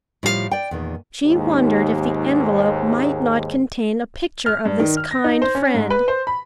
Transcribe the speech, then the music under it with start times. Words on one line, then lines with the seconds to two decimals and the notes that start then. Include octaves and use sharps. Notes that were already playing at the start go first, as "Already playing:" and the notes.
She wondered if the envelope might not contain a picture of this kind friend.
0.23 A2 F3 G3 F4 G4 F5
0.51 D5 G5
0.71 E2 A#2 D#3
1.24 D#2 G#2
4.46 F6
4.65 G2
4.80 D#3
4.97 F6
5.11 A#6
5.24 D#4
5.42 C5
5.55 C#4
5.74 G#2
5.90 B4
6.08 C5
6.27 B5